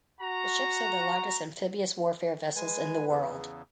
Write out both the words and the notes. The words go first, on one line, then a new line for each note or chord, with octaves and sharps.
The ships are the largest amphibious warfare vessels in the world.
F#4 A#5
G#3 B4 G#5
E2 C#3